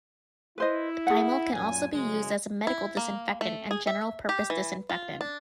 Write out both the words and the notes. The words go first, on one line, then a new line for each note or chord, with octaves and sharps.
Thymol can also be used as a medical disinfectant and general purpose disinfectant.
E4 B4 C5 D#5
G#4 F#5
F#2 A#2 G#5
F#1 F#2 G#3
E4
A#3
A3
G#4
E5
G4
E3
F4
D4